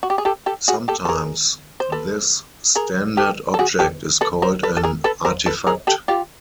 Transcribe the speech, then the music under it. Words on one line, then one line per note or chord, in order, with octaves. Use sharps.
Sometimes this standard object is called an artifact.
F#4
G4
G#4
G4 A4
G4 A4
F#4 G#4
G4 A4
A4
G#4 A#4
C5
A4 B4
G#4 A#4
G4 A4
A4
F#4 G#4
G4 A4
A4 B4
A#4 C5
A4 B4
A4
G#4 A#4
A4 B4
A#4 C5
A4 B4
G#4 A#4
G4 A4
F4 G4